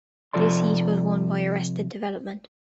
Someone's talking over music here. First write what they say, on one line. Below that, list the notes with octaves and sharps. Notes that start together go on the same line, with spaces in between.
This heat was won by Arrested Development.
C3 F3 F4 A4 D5 C6